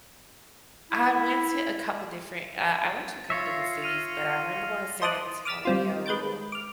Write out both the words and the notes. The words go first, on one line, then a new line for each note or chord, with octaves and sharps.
I went to a couple different, uh, I went to a couple different cities, but I remember going to San Antonio.
E4
A6
F4 C#5 E5 A#6 C7 C#7
F6 D#7 F7
C5 D#5 A5 D6 D#6 F#6
D6 D#6 F6 A6 B6 E7
G3 C4 F4
G#3 B4 G6 A6 D7
D6 F6